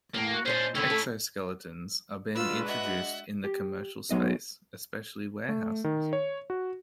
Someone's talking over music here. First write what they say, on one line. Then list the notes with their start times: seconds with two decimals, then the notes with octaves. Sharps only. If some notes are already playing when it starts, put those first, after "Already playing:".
Exo-skeletons are being introduced in the commercial space especially warehouses.
0.14 E2 A2 A#3 A#5
0.33 F#4
0.45 A#2 C#4 D4 C5 D5 D#5
0.75 D3 D#3 C4 C#4 E4 B4
0.90 A3 A4
2.35 G#3 D4 F4 F#4 B4 E6
2.67 D#5 E5 F#5
3.44 G4
4.11 B1 F#3 G#3 D#5
5.49 A3
5.84 D#3
6.13 C#5
6.50 F#4